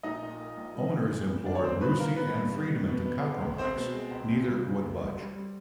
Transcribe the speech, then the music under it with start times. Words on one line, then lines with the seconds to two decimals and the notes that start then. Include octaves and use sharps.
Owners implored Rusie and Freedman to compromise; neither would budge.
0.03 A#1 D#4 D#5
0.22 A#2
0.40 A#3
0.57 A#1
0.74 G3
0.93 A#2
1.11 A#2
1.28 G3
1.45 D#3 D4 D5
1.55 C#5
1.63 G2 C4 C5
1.81 G2 B3 B4
1.99 D#3 A#3 A#4
2.16 D#3 B3 B4
2.35 G2
2.52 G3
2.70 D#3
2.88 B2
3.06 B3
3.24 G#3
3.40 C#2
3.58 G#3 C4 C5
3.76 B2
3.94 G#3
4.11 C#2
4.30 C#3
4.47 G3
4.65 C#3
4.83 D2
5.01 G3
5.18 G3
5.35 G3